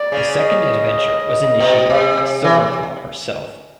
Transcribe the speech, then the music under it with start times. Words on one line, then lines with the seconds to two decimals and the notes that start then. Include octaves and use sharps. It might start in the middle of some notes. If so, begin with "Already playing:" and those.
The second adventure was initiated by Silverclaw herself.
Already playing: D5
0.12 C#3
0.42 D#5
1.60 B2
1.90 C3
2.44 E3